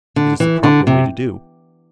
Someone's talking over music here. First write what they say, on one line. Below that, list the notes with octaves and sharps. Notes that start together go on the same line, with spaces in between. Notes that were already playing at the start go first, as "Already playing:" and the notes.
It is the proper way to do.
D3
E3
D3
C3